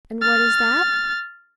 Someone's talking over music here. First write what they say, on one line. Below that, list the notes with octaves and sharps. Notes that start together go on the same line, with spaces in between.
And what is that?
F6 A6